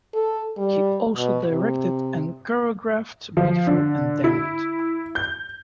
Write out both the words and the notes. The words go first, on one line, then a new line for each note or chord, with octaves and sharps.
He also directed and choreographed "Beautiful and Damned".
A4
G3
B2
C3
F3
D3
E4
G6